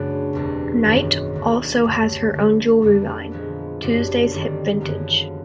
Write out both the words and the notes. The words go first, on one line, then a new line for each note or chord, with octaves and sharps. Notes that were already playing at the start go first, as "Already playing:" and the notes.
Knight also has her own jewelry line "Tuesday's Hip Vintage".
Already playing: F#2 C#3 F#3 A3 B3 D4
F#1 E2 B2 G3 C4
G#1 F#2 D#3 F#3 B3
E1 D2 D3
G1 F#2 D3 F#3 A3
D#2 D3 F3
F2 D3 G3 B3 D4
A#2 F3 G#3 B3
G1 F#2 D3 G3
G1 G2 D#3 G3 C4
F#2 D3 F3 G#3 B3